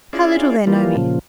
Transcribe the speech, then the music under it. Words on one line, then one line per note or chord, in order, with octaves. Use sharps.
"How little they know me!"
C#4 E4 F4 G#4 D5
E3 G3 A#3 F4
A#2 C#3 F3